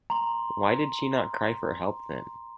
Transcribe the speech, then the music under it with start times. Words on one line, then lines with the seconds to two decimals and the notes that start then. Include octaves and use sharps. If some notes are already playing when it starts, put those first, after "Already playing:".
Why did she not cry for help then?
0.10 A#5 C6